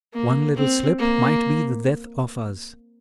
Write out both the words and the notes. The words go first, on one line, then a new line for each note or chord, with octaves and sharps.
One little slip might be the death of us.
A#3
C4
A#3